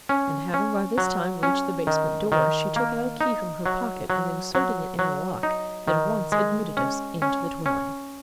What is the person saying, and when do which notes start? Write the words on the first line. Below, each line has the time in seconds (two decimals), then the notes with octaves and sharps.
And having by this time reached the basement door, she took out a key from her pocket and inserting it in the lock, at once admitted us into the dwelling.
0.09 C#4
0.54 C#4
0.98 F#3
1.43 C#4
1.87 D#3
2.32 D#3
2.76 A#3
3.21 D#4
3.66 F#3
4.10 F#3
4.55 F#3
4.99 F#3
5.43 D#4
5.88 D#3
6.32 G#3
6.77 C#4
7.22 C#4
7.66 C#4